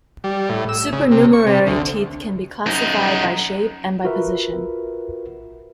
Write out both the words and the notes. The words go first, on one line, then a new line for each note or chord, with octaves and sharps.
Supernumerary teeth can be classified by shape and by position.
G3
A2
E6
C#3
C3
C#6
C3
D2
F#2 D#4
F4 F#4 A#4 B4 E5